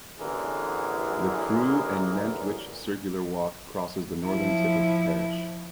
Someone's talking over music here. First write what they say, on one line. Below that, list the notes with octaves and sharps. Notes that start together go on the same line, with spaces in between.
The Crewe and Nantwich Circular Walk crosses the northern tip of the parish.
A1 B2 D3 E3 G#4 A#4
F3 E4